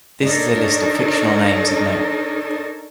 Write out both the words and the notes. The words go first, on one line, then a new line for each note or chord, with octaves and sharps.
This is a list of fictional names of note.
D4 D#4 A4 A#4 C#5